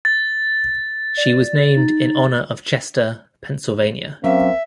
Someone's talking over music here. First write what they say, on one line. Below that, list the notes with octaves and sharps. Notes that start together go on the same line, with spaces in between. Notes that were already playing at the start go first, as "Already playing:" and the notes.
She was named in honor of Chester, Pennsylvania.
A6
D5
D#4
F#3 A#3 C4 C#4 E5